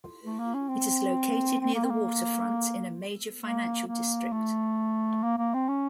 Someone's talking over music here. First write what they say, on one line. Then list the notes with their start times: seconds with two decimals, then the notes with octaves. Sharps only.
It is located near the waterfront, in a major financial district.
0.24 A3
0.39 A#3
0.54 C#4
0.69 C4
1.60 C4
1.74 A#3
1.84 C4
1.90 A#3
3.41 A#3
3.87 A#3
4.32 A3
5.24 A#3
5.38 A#3
5.54 C4
5.68 C#4